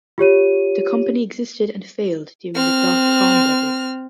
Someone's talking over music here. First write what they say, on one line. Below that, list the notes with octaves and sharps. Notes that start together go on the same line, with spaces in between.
The company existed and failed during the dot com bubble.
F4 G4 C#5 D#7
C4 F6